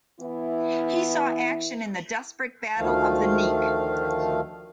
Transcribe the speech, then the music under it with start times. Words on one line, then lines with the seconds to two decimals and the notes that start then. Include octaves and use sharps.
He saw action in the desperate Battle of the Nek.
0.20 E3 B3 E4
2.78 D2 D#3 F3 A3 F5